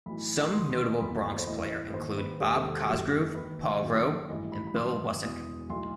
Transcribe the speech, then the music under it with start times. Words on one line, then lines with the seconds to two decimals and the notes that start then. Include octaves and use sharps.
Some notable Bronks player include Bob Cosgrove, Paul Rowe and Bill Wusyk.
0.06 B1 A2 E3 B5
0.53 D#2 D#3 C6
0.61 D#6
0.70 C6
0.78 D#6
0.86 C6
1.00 F#1 E2 B2 B5
1.38 C5
1.47 A1 A2 E3 D#5
1.70 D#5
1.89 B4
1.94 D#2 D#3 C5
2.18 B4
2.41 E1 D#2 D#3 G4
2.55 G4
2.64 A4
2.83 F#4
2.88 F#1 F#2 E3 G4
3.35 D#2 D#3 B4
3.82 F#1 F#2 D#3
4.29 A1 G2 E3 D#5
4.52 B5
4.67 B5
4.76 F#1 F#2 D#3 C6
5.23 E1 E2 B2 D#6
5.70 B1 A2 E3 C6